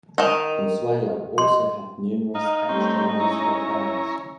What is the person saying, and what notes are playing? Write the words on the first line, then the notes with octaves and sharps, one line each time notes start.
Consuelo also had numerous extramarital affairs.
D#3 D#4 A#4
D#5 C6
D#4 D#5 F5
G3 A3 C4 C#4 G5
C#4 E4 C#5 A#5